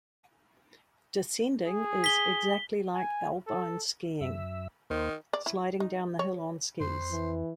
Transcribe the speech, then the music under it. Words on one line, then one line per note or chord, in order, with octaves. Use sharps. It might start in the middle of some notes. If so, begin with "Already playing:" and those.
Descending is exactly like alpine skiing: sliding down the hill on skis.
G#4
B6 G7
G#5
A4
F#2 E5
D#2 D#3 A#3 C5
D5
E4
D#4
C#5
F2 C5
E3